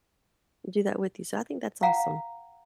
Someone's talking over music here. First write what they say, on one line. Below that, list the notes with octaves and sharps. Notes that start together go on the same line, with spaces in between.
do that with you. So I think that's awesome.
F5 F#5 A#5